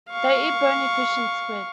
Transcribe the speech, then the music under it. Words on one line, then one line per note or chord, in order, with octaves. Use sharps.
They eat bony fish and squid.
F5 C#6